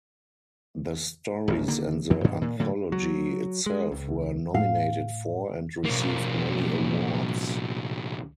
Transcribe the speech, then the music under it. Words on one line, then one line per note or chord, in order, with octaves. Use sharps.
The stories and the anthology itself were nominated for and received many awards.
D#1 A1 D#2
D#1 D3 A#3
F2 E3
G2 B2 D#3 F#3
A#2
A2 D3 F#3
F#3
G#3
C#2
A2 F5
B1 A#3